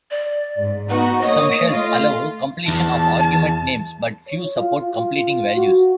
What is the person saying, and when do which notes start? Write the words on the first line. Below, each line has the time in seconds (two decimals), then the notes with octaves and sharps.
Some shells allow completion of argument names, but few support completing values.
0.11 D5
0.57 G#2
0.90 B3 D#4 F#4 B4
1.22 A#3 C#5 D#5 D#6
1.67 A3 F4
2.68 E2 A5
4.27 C#5
4.56 F4
4.92 F4
5.56 F#4